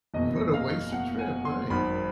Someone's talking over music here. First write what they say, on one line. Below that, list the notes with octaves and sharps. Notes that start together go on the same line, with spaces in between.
What a wasted trip, right.
F#1 E2 B2 D#5
F5
F#5
G#5
C6
G#1 F#2 D#3 B5